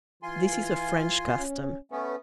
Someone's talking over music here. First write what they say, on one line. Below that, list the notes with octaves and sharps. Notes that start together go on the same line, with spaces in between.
This is a French custom.
E3 F4 G#5 C6
C#4
A3 B3 C#4 B4